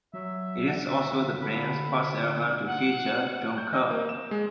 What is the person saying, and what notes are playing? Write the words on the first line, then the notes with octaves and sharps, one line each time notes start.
It is also the band's first album to feature Don Kerr.
F#3 E5
D3 E5
D3 B5
F#5
G6
D#5
A#3
E7
G#3